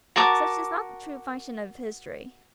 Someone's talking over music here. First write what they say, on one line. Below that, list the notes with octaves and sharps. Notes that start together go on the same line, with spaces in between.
Such is not the true function of history.
F#4 A#4 A5 D6